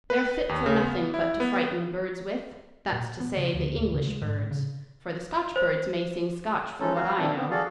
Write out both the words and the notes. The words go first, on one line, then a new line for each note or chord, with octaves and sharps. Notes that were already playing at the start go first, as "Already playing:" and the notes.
They're fit for nothing but to frighten the birds with--that's to say, the English birds, for the Scotch birds may sing Scotch for what I know.
B4
D#2
C#3
B3
E4
B3
A#2
B3
C#3
D2
D1
C#3
G#3
G#2
A2
C#3
C5
E3 G#3 C#4 D#4 A4
F#4 F5
A#2 C4 D4 E4 A4
B3 C4
F#4 G#4 A4 D5 F5